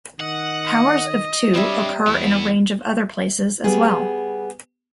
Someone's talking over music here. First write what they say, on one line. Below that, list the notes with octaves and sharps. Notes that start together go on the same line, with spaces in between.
Powers of two occur in a range of other places as well.
D#3 D#5 F#5
G3 C4 D4 C#5 E5
E2 B3 E4
G3 B3 G#4